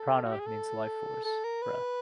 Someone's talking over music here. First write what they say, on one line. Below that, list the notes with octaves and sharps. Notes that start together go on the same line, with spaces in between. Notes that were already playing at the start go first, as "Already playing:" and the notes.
"Prana" means "life force, breath".
Already playing: A4
F#4
G4
G#4
A4
A4
A#4
B4